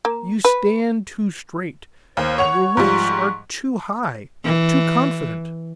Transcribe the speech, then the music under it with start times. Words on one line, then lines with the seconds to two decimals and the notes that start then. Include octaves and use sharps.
You stand too straight, your looks are too high, too confident.
0.05 A#3
0.45 B4
2.17 D#2 C5
2.38 C#5 F#5 C#6 F7
2.77 G#2 F3 G3
4.45 E3